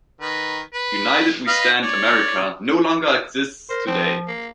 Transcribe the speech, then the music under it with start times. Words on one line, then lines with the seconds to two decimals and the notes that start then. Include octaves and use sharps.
United We Stand America no longer exists today.
0.21 D#3 B4
0.74 B4
1.47 B4 D#5 F5
1.82 C#5 D5
3.70 A#4 C5
3.87 F3 C4
4.28 A#3